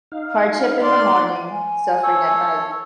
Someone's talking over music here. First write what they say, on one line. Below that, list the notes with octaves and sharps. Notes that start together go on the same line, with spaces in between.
Hardship in the morning, suffering at night.
D#4 F5
D5 C6
G#5
A4 C#5